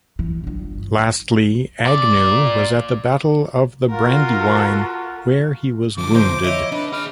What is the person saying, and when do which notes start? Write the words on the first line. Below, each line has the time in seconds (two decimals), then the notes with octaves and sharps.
Lastly, Agnew was at the Battle of the Brandywine, where he was wounded.
0.19 E3
0.44 G1 G2
1.85 A#2 D5
3.91 F4 F#4 A#4
5.98 D3 F3 D6
6.15 A#4 C5
6.44 E4 C#5 D#5
6.72 D4 D#4 B4
6.93 G#4 B5 F6